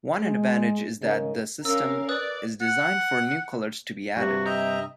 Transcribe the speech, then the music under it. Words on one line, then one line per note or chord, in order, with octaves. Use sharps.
One advantage is that the system is designed for new colors to be added.
G#3
G#2 C#3 A#4 D#5
C#4 A#4 F5 E6
B4 D5 D#6 F#6
F#5
G2 C3 F#4
D#5 E5 G5 A#5